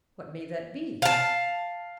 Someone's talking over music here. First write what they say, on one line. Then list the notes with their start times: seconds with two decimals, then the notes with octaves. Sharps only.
What may that be?
1.02 F5 A5